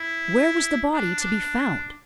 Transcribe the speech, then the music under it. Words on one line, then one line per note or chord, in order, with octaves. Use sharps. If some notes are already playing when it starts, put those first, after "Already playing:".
Where was the body to be found?
Already playing: E4
D4
D4